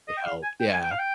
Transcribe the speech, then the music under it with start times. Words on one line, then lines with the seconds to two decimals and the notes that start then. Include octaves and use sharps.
they helped yeah.
0.08 D#5
0.17 G5
0.26 F5
0.43 G#5
0.60 G5
0.72 G#5
0.83 G5
0.91 F5
0.99 G5